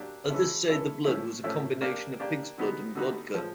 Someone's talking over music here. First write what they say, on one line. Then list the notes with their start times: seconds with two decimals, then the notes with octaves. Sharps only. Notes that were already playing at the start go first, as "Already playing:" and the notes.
Others say the blood was a combination of pig's blood and vodka.
Already playing: F#3 A#3 D4 G4
0.30 E3 G#3 C#4 E4 A4
0.68 E3 G#3 C#4 E4 A4
1.05 A2 F3 A3 C#4 E4
1.44 A2 F3 A3 C#4 E4
1.81 A#3 D4 G4 A#4 D5
2.20 A#3 D4 G4 A#4 D5
2.58 D3 G3 B3 D#4 F#4
2.95 D3 G3 B3 D#4 F#4
3.34 A2 F3 G#3